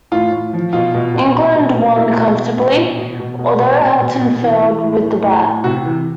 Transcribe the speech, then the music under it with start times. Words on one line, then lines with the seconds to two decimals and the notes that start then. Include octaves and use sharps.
England won comfortably, although Hutton failed with the bat.
0.12 A2 F4
0.32 A2
0.53 F3
0.73 B2 F4
0.94 B2
1.14 B2
1.35 B2
1.55 B2
1.76 B2
1.96 B2 E4
2.17 B2
2.37 B2
2.57 B2
2.78 B2
2.98 B2
3.19 B2
3.39 B2
3.59 B2
3.80 B2
4.01 B2
4.21 B2
4.42 E3
4.62 E3
4.83 A2
5.03 A2
5.23 A2
5.44 A2
5.64 C3 F#4
5.85 E3